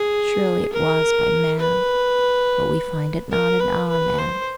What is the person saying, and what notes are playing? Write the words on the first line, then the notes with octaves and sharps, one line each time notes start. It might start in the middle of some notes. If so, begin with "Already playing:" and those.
Surely it was by man, but we find it not in our man.
Already playing: G#4
A#4
B4
A#4
B4
B4
C5